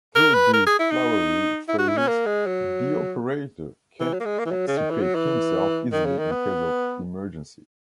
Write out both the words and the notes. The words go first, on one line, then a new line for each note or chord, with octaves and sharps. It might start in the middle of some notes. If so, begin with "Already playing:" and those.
Through these flowery phrases, the operator can extricate himself easily in case of emergency.
A#4
B4
A#4
G#4
E4
D#4
E4
F#4
E4
C#4
A#3
G#3
F#3
E3
F#3
A#3
G#3
A#3
E3
F#3
C#3
D#3
E3
F#3
E3
D#3
C#3
D#3
B3